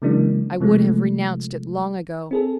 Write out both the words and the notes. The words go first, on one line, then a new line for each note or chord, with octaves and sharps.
I would have renounced it long ago.
C#3 E3 F#3 G#3 A#3 D4
C3 F3 G#3 A3
C4 G#4 A4